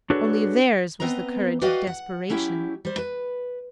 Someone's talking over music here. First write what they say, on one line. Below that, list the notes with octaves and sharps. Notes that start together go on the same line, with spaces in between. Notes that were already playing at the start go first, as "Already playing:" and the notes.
Only theirs was the courage of desperation.
D4 F#4 G#4 A4 B4 C#5
B3 C4 B4 D#5 A#5
F#4 B4 D5 D#5 F5 G5
F#5
F#3 C#4 E4 G4
G3 C5
B4